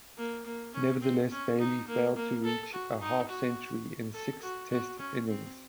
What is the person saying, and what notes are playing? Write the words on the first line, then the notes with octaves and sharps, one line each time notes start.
Nevertheless, Bailey failed to reach a half-century in six Test innings.
A#3
A#3
C#4
C4
C#4
D#4
A#3
A#3
A4
F#4
D#4
F#4
A4
F#4
F#4
C#4
C4